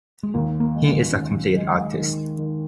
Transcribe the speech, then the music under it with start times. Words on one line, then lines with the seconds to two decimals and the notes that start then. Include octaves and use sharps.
He is a complete artist.
0.23 G#3
0.34 D#2 A#3
0.60 A#3
0.74 G#3
0.88 C#4
1.12 D#2 C#4
1.55 G#3
1.96 D#3
2.37 D#3